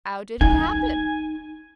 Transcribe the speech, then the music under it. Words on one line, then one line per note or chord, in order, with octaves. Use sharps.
"How did it happen?"
D#4 G#5